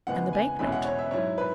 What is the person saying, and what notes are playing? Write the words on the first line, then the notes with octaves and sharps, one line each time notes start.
"And the bank-note?"
E2 C#3 G#3 B3 F#5
G#5
E2 B2 G#3 C#4 E4 B5
F#5
C#5
E5
G#2 F#3 E4 C#5
B4